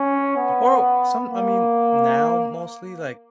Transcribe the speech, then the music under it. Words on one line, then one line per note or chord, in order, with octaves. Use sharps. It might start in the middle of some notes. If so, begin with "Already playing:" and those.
Oh! Some I mean, now mostly, like,
Already playing: C#4
B3
A#3